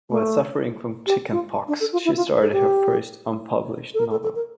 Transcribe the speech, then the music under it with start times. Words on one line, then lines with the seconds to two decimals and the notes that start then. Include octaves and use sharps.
While suffering from chickenpox, she started her first, unpublished, novel.
0.10 A3
1.07 G4
1.32 F4
1.68 D4
1.80 A4
1.93 F4
2.05 E4
2.17 F4
2.42 A4
2.53 G4
3.94 A4
3.99 A#4
4.11 A4
4.23 A4
4.36 A#4